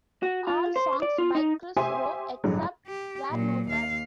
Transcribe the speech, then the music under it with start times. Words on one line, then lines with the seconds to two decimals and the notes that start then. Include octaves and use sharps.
All songs by Kris Roe except where noted.
0.23 F#4
0.47 F4
0.76 C5
1.02 D5
1.18 F4
1.35 D#4
1.77 G4 C5 E5 G#5 C6 D#6
2.44 A1 G2 D3 F#3 G#3
2.87 G4
3.31 A#2 F#3
3.69 D#2 F5